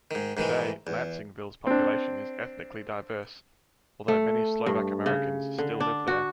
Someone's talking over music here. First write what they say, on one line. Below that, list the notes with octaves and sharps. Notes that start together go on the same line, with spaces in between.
Today, Lansingville's population is ethnically diverse, although many Slovak-Americans still live there.
G#2 D#3
G#2 D#3 E3 G#3
E2
C4 D4
A3
G2
C#3
D3
D4
F#4